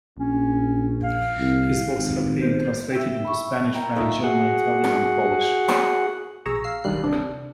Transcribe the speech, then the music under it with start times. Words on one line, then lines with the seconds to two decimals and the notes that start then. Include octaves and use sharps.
His books have been translated into Spanish, French, German, Italian and Polish.
0.18 A#1 C#4
1.03 F5
1.38 C2
1.95 G#1
2.41 C5
2.91 E5 G5
3.25 B5 C#6
3.74 A#4 G5
3.96 A3 D#4 F4 E5
4.24 F#4 G#4 F#5
6.45 A#1 B2 G#4 A#5 C#6 E6
6.64 F5 E6 C7
6.84 G1 G2 D#3 G3 F#6 C7
7.04 C3 D4